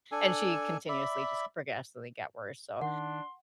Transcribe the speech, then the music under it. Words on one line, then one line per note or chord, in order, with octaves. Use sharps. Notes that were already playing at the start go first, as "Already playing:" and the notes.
and she continuously just progressively got worse. So,
D4 A4 G#5
D5 E5 B5
D#3 D4 F#5 C6